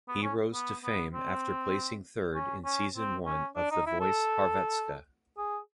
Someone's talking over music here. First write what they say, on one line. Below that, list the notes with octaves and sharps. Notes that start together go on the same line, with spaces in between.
He rose to fame after placing third in season one of "The Voice Hrvatska".
B3
C#4
B3
B3
C4
C#4
C#4
C4
C#4
D4
D#4
E4
A4
G#4